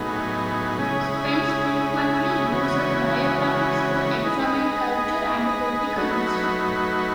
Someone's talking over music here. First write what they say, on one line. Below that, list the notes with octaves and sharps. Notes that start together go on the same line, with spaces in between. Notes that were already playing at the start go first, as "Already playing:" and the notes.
Spence frequently uses biographies to examine cultural and political history.
Already playing: A2 F#3 B3 D#4 G#4
C#3 G#3 C#4 E4 G#4
C#3 E3 G#3 C#4 F#4
G#3 D#4 G#4 B4 D#5
F#3 A3 D#4 F#4 B4